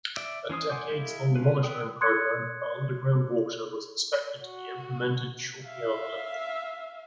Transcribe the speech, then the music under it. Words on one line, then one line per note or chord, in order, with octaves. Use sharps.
A decades-long monitoring program for underground water was expected to be implemented shortly after.
D5 E5
E3 C#4 C5 D#6
F#5 G#5 C6 D6 G6
G#3 E4 F5
C#4 F4 B4
B3 B4 G5 D#6
C6 D#6 F#6 G#6 C#7
F#4
E5 F5